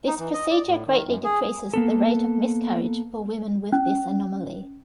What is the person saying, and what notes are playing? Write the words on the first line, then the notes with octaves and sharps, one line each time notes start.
This procedure greatly decreases the rate of miscarriage for women with this anomaly.
D#4
E3
D#5
D5
A2
D#3
F#2
G#4
A#3 B3 A4
C#4